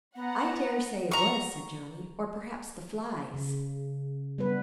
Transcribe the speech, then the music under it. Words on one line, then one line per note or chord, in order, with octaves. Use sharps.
"I daresay it was," said Johnny;--"or perhaps the flies."
B3 F#5 A#5
A#5 C#6
C#3
G3 B3 B4